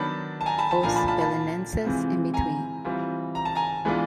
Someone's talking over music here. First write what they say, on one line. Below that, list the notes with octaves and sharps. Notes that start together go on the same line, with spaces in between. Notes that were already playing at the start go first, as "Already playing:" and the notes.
Os Belenenses in between.
Already playing: D#3 F#3 B3 D4 A5 B5
A5
G#5 A#5
A5 B5
A5 B5
A#2 F3 A#3 D4 F4 G#5 A#5
A5 B5
A5 B5
A5 B5
C3 E3 G#3 C4 F4
G#5 A#5
E3 G3 C4 F4
A#5
A5
G#5 A#5
E3 G#3 B3 D4 F4